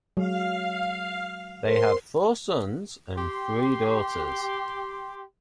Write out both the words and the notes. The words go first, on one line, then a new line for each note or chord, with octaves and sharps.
They had four sons and three daughters.
F#3 G#3 F5
A#4 C5 C6
G4 C6